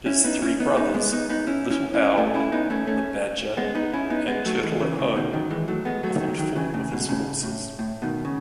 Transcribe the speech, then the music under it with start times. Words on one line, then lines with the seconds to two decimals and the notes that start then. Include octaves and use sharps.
His three brothers, Little Owl, the Badger, and Turtle-at-Home, often fought with his forces.
0.06 C#4 E4
0.24 B3 D#4
0.42 C#4 E4
0.60 B3 D#4
0.77 B3 D#4
0.94 G#3 B3
1.13 B3 D#4
1.29 B3 D#4
1.47 C#4 E4
1.70 C#4 E4
1.94 C#4 E4
2.17 A3 C#4
2.35 C#4 E4
2.52 B3 D#4
2.70 A3 C#4
2.87 A3 C#4
3.57 G#3 B3
3.75 B3 D#4
3.93 C#4 E4
4.10 B3 D#4
4.28 G#3 B3
4.46 F#3 A3
4.63 E3 G#3
4.80 C#3 E3
4.98 A2 C#3
5.16 B2 D#3
5.33 D#3 F#3
5.51 E3 G#3
5.68 F#3 A3
5.85 G#3 B3
6.03 F#3 A3
6.20 D#3 F#3
6.38 D#3 F#3
6.56 C#3 E3
6.74 A2 C#3
6.91 G#2 B2
7.08 A2 C#3
7.43 A2
7.79 A2
8.02 B2 D#3
8.25 C#3